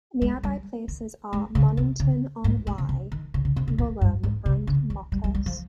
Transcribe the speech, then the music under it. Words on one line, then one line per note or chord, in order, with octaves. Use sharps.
Nearby places are Monnington on Wye, Lulham and Moccas.
G#3
G3
D#3
G#3
C#3
C3
C#3
G#2
G#2
C3
C3
D#3
C#3
C#3
C3
C3
A#2
G2
G#2
C3
C#3
D#3
G3
G3
G3
F3